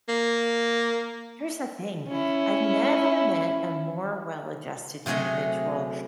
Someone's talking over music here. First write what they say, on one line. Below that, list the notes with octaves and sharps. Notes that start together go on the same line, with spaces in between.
here's the thing, I've never met a more well adjusted individual.
A#3
C#4 E4
C3 F#3 A3 G#4 D#5